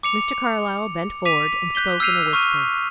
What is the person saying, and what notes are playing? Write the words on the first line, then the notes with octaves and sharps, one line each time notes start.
Mr. Carlyle bent forward and spoke in a whisper.
D6 C#7 F7
D6 B6 D#7 F7
F#6 G6 B6 G7
E6 F6 G6 C7 D#7 F7
C#6 F6 D#7